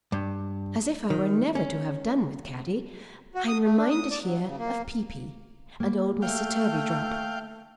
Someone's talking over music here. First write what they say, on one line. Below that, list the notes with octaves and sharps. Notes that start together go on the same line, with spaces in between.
As if I were never to have done with Caddy, I am reminded here of Peepy and old Mr. Turveydrop.
G2
D#3
C#4
F#4
D#6
A3
D4
D#6
D5
F#3
C#3
A#3
A#3
A3 F5 G5